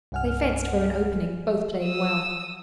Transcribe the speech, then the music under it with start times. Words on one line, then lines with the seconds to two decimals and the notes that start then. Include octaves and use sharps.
They fenced for an opening, both playing well.
0.12 C2 G2 F#5 G#5 F6
1.83 D#6 E6